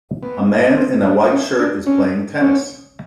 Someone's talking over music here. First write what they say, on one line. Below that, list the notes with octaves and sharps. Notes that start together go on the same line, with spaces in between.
A man in a white shirt is playing tennis.
B3
C4
D4
C#4
D4
C#4
C#4